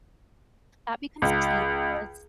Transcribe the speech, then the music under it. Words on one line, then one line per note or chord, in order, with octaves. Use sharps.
that becomes tedious.
C#2